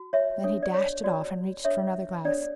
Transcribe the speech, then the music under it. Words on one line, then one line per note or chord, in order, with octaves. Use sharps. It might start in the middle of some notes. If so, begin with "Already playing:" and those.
Then he dashed it off, and reached for another glass.
Already playing: F#4
C#5 E5
D4 A4 C#5
D5
C#5
F#4 A4 C#5 D5
D4 A4 C#5 E5
D4 A4 C#5 D5